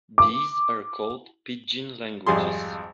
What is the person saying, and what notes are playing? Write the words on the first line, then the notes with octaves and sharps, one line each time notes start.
These are called "pidgin languages".
D6
G#1 F2 G3 G#4 C6